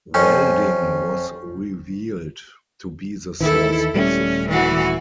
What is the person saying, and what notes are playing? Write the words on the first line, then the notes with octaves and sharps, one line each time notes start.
Welding was revealed to be the source of the fire.
F2 C#4
D#2 D#3 E3 E4 A4
D#1 G3 A3 C#4
E3 F#4